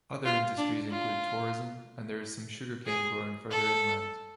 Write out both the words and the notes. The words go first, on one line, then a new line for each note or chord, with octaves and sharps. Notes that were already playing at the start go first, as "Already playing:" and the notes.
Other industries include tourism and there is some sugar cane growing further inland.
F4
D4
F4
G#4
A4